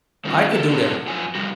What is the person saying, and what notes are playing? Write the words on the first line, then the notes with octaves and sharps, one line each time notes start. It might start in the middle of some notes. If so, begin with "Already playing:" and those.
I could do that,
D#3 G3 A3 C#4 F4 F#4
A4 A#4
A2 F#3 C4 F#4 A4
F2 F3 F#3 G#5
C3 G3 F#4